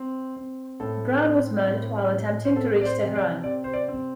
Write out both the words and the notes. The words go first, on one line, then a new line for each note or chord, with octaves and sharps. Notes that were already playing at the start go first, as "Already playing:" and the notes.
Browne was murdered while attempting to reach Tehran.
Already playing: C4
C4
A2 A4
C4
A2
A2
C5
C4 A4
D5
C5
C3
D5
C3 D5
C5
D5
C4